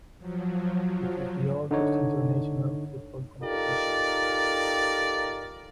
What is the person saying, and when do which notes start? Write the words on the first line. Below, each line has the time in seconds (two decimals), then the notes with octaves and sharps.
It is the oldest international football competition.
0.19 F3 F#3
1.71 D3 D#4 C#5
3.42 D#4 F4 G4 A4 A#4 D5